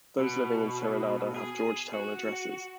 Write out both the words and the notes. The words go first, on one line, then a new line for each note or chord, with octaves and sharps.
Those living in Serenada have Georgetown addresses.
B2
G#4
F#4